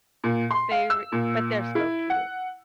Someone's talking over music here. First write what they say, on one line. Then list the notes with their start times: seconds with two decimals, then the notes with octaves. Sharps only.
They re but they're so cute.
0.24 A#2
0.51 C6
0.71 F5
0.90 E6
1.12 A#2
1.75 E4
2.10 F#5